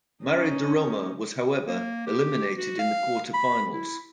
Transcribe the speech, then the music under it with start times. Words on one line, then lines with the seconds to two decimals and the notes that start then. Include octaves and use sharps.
Mare di Roma was however eliminated in the quarterfinals.
0.25 C#4 D#4
1.67 A#3
2.07 G4
2.58 F#4
2.79 F5
3.34 B5
3.74 E4